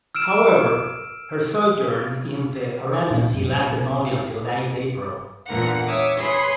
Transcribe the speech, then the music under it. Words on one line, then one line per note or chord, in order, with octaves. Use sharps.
However, her sojourn in the Arabian Sea lasted only until late April.
E6 F6 D7 E7
A#2
F#2
A2
B2
E2 A#2 D3 A#4 F#5
C#5 E5 D6 D#6
G#4 B4 C#5 B5 C6